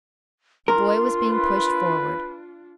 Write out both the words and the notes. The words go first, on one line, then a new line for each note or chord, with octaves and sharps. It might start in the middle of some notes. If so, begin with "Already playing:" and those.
The boy was being pushed forward.
D4 F4 A#4 C6
B4